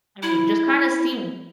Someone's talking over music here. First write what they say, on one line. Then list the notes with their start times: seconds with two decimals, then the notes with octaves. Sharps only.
I mean, just kinda see w
0.22 E4